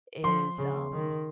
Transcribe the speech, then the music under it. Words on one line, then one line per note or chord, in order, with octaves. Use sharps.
is, um,
F3 C6
C#3
D#3